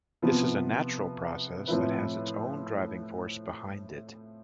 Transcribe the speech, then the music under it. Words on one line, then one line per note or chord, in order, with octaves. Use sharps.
This is a natural process that has its own driving force behind it.
C3 F3 B3
A2 F3 C4 E4 B4